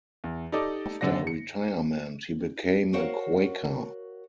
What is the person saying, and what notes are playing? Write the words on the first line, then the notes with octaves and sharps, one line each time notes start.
After retirement he became a Quaker.
E2
D#4 G4 A4 D5 D#5 D6
F#2 D3 C4 D5 F#5 A#6
C#7
F#4 A#4 C5 C#5 F5 F#5